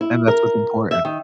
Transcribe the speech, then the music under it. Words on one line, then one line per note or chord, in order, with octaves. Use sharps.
And that's what's important.
E4
A#4
E5
D#3